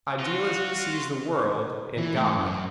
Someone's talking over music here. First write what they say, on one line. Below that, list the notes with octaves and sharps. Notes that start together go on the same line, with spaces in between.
Idealism sees the world in God.
F4 F#4
E3
G#2 A3
F#2